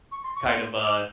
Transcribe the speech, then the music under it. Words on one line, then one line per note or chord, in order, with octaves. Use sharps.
kind of, uh,
C#6
C6
C#6
C6
D6